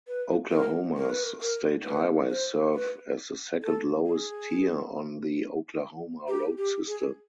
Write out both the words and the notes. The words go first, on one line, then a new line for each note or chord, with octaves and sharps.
Oklahoma's state highways serve as the second-lowest tier on the Oklahoma road system.
B4
A#4
A#4
B4
A#4
A#4
B4
C5
B4
A4
G#4
G4
G4
G#4